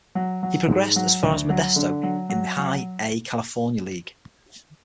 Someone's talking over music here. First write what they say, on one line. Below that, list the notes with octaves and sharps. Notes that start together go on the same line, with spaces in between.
He progressed as far as Modesto in the High A California League.
F#3
F#3
G#2
F#3
D2
F#3
D3
F#3
F#3
F#3